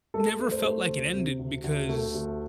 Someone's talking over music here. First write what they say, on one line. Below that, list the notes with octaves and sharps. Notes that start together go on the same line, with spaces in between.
never felt like it ended, because
A3 A4
A3
C5
A3
D2
C3
D2
D2
A3
D2